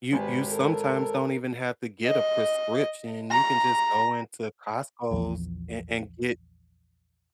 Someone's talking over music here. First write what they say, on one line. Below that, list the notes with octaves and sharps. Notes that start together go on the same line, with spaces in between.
You you sometimes don't even have to get a prescription. You can just go into Costco's and and get
G#1 G4 B4 G#5
A4 A#4
D#5
A#5
A#1 E2 F3